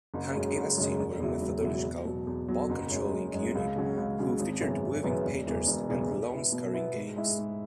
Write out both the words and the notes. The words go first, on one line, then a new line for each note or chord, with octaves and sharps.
Hank Iba's teams were methodical, ball-controlling units who featured weaving patterns and low-scoring games.
F#1
F#2 C#3 G#3
F#1
F#2 C#3 G#3
E1
E2 C#3 F#3 E4
E1
E2 C#3 F#3 E4
E2
B2 F#3
E2
B2 F#3
F#1
F#2 C#3 G#3
F#1
F#2 C#3 G#3
C#2
C#3 F#3 C#4 F#4
C#2
C#3 F#3 C#4 F#4
G#1
F#2 C#3 E3 B3
G#1
F#2 C#3 E3 B3
E1
E2 C#3 E3
E1
E2 C#3 E3
B2
B3 E4
B2
B3 E4
G#2
G#3 E4
G#2